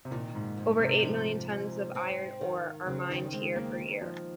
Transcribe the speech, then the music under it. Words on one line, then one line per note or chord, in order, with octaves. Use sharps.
Over eight million tons of iron ore are mined here per year.
C3
A#2 D#3
G#2
F2
C3
F3
G#2
C4
D#3
C#3 C4
D#3
G#3 C4
A#3
D#3
F3